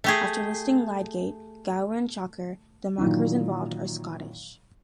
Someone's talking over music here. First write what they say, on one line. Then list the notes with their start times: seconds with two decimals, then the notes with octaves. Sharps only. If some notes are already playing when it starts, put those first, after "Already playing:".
After listing Lydgate, Gower and Chaucer, the makars invoked are Scottish.
0.04 A3 G4 G#4
2.98 A#2 D#3 E3 F#3